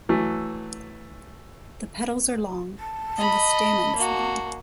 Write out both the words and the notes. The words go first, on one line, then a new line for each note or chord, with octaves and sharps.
The petals are long and the stamens long.
E3 F#3 A3
A5
D#5 B5
A#3 F#4